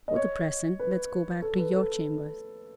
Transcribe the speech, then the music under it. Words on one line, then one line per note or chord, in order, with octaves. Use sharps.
For the present let's go back to your chambers.
D#5
C#5
B4
A4
B4
A4